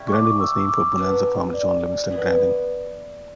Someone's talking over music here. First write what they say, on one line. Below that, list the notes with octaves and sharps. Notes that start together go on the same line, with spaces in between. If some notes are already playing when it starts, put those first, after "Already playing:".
Grandin was named for Bonanza farmer John Livingston Grandin.
Already playing: C#3 G3 C#4 E4
C#6
D6
E6
D6
G2 F#3 B3 D4
D5
F#2 E3 B3